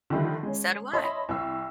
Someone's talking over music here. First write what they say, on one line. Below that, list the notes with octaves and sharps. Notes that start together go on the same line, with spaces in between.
So do I.
D3 D#3 F3 G3 A3
G#3 C#4
C#5 D#5 E5 A5 B5 C6
C2 C#6 E6